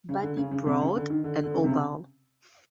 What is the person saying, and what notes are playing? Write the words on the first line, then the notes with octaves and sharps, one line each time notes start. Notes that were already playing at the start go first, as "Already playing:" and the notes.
Body broad and oval.
C#3
D3
C#3
C#3
C3
C#3
D3
D#3
D3
D3
C#3
C3
C#3